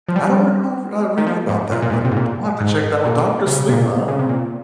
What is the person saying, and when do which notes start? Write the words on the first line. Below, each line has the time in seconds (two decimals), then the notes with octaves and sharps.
I don't recall, uh, reading about that one. I'll have to check that o Doctor Sleep, huh?
0.08 F3
0.16 G3
1.18 D#3
1.27 F3
1.49 G#2
1.72 A#2
1.82 A#2
1.90 G#2
1.93 A#2
2.05 C3
2.12 G#2
2.17 A#2
2.60 G#2
3.05 A#2
3.47 C3
3.50 C#3
3.68 C3
3.72 A#2
4.08 C#3
4.19 C3
4.29 A#2